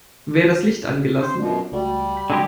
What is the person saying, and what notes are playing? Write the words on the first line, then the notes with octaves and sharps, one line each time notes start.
Wer das Licht angelassen?
D3 C4 C#4 C5
F#2 B2 D4 F4
C#2 G3 A3 F#4
G5 B5
D3 F#3 G#3 A#3 D4 G4